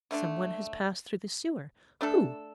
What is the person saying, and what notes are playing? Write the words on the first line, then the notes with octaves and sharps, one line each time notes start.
Some one has passed through the sewer. Who?
D3 A3 D4
A3 D4 A4